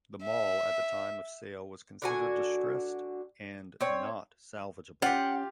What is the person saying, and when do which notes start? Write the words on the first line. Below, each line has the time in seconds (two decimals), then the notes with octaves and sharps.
The mall at the time of sale was considered distressed and not salvageable.
0.23 E5
2.02 D3 F#4 G#5
3.81 C4 C#5
5.02 C#4 F4 G4 F#5 G5